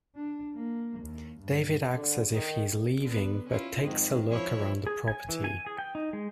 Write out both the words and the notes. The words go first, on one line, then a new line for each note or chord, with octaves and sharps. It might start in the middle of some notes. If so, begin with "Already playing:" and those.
David acts as if he is leaving but takes a look around the property.
D4
A#3
D#2
G2
D3
D#3
D3 B3
C#4 E4 F4
F2 G#2 D#3
F3 E4 C#5
G#4
G#5
E3
G#5
G#4
G5
D#4
G#3